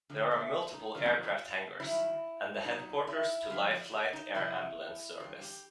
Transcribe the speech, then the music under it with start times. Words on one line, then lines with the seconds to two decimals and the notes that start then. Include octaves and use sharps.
There are multiple aircraft hangers and the headquarters to Life Flight air ambulance service.
0.10 F2 D3 F3 G#3
0.31 A3
0.74 D#4
0.95 F2 C3 D#3 F#3 F4
1.80 G2 D#3 F#3 E4
2.64 A#2 F#3 D#4
3.07 E4
3.50 F2 D3 F3 F4
3.71 F#4
3.92 G4
4.13 D#4
4.35 F2 C3 F3 E4
5.20 G2 E3 F4
5.41 G4